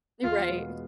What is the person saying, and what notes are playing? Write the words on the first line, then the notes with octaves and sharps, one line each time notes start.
You're right.
E2 F4
B2 G#3 B3